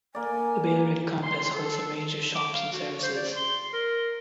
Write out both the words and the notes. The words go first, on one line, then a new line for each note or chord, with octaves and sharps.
The Bailrigg campus hosts a range of shops and services.
A#3 D5 G#5
C6
A4
D6
F5
F#4
C5
D5
C6
A#4